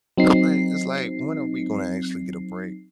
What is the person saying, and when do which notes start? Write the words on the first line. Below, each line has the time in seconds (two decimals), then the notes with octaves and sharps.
Like, it's like, when are we gonna actually get a break?
0.18 F#3 C4 D#4 C7